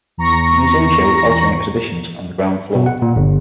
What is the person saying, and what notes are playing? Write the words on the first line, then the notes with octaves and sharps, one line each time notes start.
The museum shows altering exhibitions in the ground floor.
E2 A#5 C#6 A#6
B2
F#5
A#2
G1